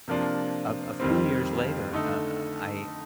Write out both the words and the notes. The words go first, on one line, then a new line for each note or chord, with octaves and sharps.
a a few years later, uh, I
C3 F3 A#3 D4 F4
F2 D#3 G3 C4
D3 A3 D#4 A4